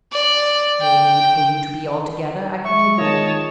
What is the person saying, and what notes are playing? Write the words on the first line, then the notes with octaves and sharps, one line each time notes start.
"No need for you to be, altogether!" I continued.
D5
G5
G#3 E5 C#6
D#3 F4 C#5 D#5 A5